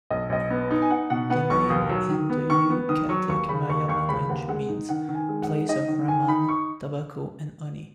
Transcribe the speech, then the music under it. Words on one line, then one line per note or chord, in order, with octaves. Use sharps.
The name in the Yucatec Maya language means "Place of ramon, tobacco, and honey".
B1 D#5
B1 D#5
B3
D#4
G#5
D#4 F#5
B2 F#5
B3 F#5
B1 C#6
D#2 D#6
F#3
D#3
B3
D#3 C#6
B3
D#3 D#6
F#3 C#6
D#2 C#6
C#3 B5
D#2 C#6
D#2 C#6
C#3 B5
D#2 F#5
G#3 F#5
D#4
D#3 F#5
D#3
G#5
G#3
F#5
D#4
D#4 D#5
D#3
D#3 G#5
D#4 B5
C#6